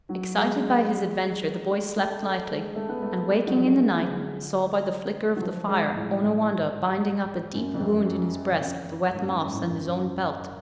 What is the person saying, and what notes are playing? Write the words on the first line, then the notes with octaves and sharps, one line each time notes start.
Excited by his adventure, the boy slept lightly, and waking in the night, saw by the flicker of the fire Onawandah binding up a deep wound in his breast with wet moss and his own belt.
F#3
G#3
A3
A3
A3
G#3
A3
B3
A3
G#3
F#3
F3
F#3
F#3
F3
D3
F#3
F3
G#3
G#3
A2
A2
G#2
F#2
F2
F#2
F#2
F2
G#2
F#2
G#2
G#2
A2
F#2